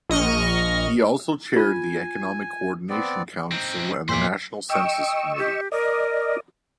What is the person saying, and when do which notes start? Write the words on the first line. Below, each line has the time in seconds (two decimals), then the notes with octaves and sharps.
He also chaired the Economic Coordination Council and the National Census Committee.
0.10 A#1 D#5 C#6 F6
1.56 F4 G#5
2.90 B3 C4 D5
3.52 C4 D#4
4.09 E2 A#2 C5 D5 C6 B6 C7
4.70 D#5 G5 C#6 E6
5.38 G4
5.72 A#4 D5 D#5